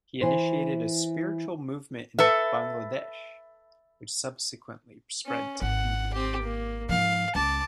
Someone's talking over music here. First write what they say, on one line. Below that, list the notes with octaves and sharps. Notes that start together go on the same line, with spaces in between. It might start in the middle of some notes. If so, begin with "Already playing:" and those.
He initiated a spiritual movement in Bangladesh which subsequently spread to India.
E3 C5
A4 B4 E5
C#4
G#1 F#5
C4 G4
A#3
G#2 F3 F5
C#2 A5 D6